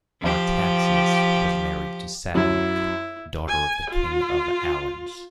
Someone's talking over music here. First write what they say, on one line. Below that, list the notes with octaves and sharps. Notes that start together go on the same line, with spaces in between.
Artaxias was married to Satenik, daughter of the king of Alans.
F3 G4
F#2 F#3 E4
G#5
F4